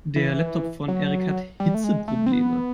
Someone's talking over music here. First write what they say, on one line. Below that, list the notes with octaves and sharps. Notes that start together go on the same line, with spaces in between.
Der Laptop von Erik hat Hitzeprobleme.
E3
F#3
G3
A3
G#3
A3
C4
B3